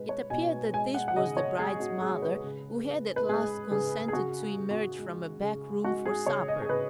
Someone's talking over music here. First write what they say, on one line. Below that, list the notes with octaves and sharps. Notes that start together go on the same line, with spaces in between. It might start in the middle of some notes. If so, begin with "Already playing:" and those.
It appeared that this was the bride's mother, who had at last consented to emerge from a back room for supper.
Already playing: B2 G#3 B4
C#5
B2 G#5
G#3 G#5
F#5
F#5
C#3 D#5
C#5
G#3 G#4
F#4
G#3 G#4
B4
C#3
C#3
B4
G#3 G#4
C#3 G#4
G#4
C#3 F#4
G#4
C#3
F#4
G#3
C#3
G#3 F#4
G#4
C#3 C#5
D#5
G#4
C#3 B4